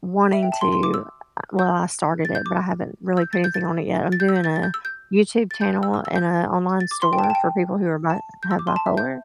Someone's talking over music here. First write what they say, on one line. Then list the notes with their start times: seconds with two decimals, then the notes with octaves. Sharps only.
wanting to, uh well, I started it, but I haven't really put anything on it yet, I'm doing a YouTube channel and a online store for people who are bi have bipolar.
0.33 E5
0.43 G5
0.52 A5
0.61 C6
0.72 C6
0.83 D6
0.94 E6
1.59 G6
2.25 A6
2.35 G6
2.46 D6
3.17 E6
3.22 G6
3.33 A6
3.44 G6
3.54 A6
4.12 A6
4.20 G6
4.28 E6
4.36 G6
4.44 A6
4.56 A6
4.63 G6
4.74 E6
4.85 G6
5.51 A6
5.61 G6
5.83 E6
5.94 E6
6.05 E6
6.16 G6
6.80 A6
6.91 D6
7.02 C6
7.13 G5
7.19 A5
7.24 G5
7.30 A5
7.35 G5
8.10 A5
8.43 G6
8.51 E6
8.59 D6
8.67 C6
8.76 A5
8.86 E5
8.97 G6